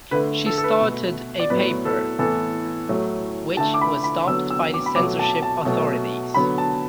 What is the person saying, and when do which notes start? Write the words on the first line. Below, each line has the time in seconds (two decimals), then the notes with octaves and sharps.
She started a paper, which was stopped by the censorship authorities.
0.11 D3 A3 B4
0.46 A4
0.58 A4
0.64 B4
0.81 B2 A3
1.40 D5
1.50 A2 F#3 B3 B4
1.85 A4
2.19 A2 E3 B3 A4
2.89 A2 F#3 A3
3.57 D3 A3 A5
3.74 D6
3.81 B5
4.04 B5
4.27 D3 F#3 B3 E6
4.50 E6
4.74 D6
4.86 B5
4.96 B2 F#3 A3 D6
5.19 A5
5.42 A5
5.65 B2 F#3 A3
6.34 D3 F#3 B3 B5
6.58 A5